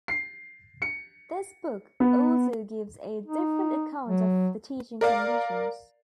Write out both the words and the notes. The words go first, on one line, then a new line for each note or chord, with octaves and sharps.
This book also gives a different account of the teaching conditions.
C7
C#7
B3
D#4
F#3
A#4 D5 F5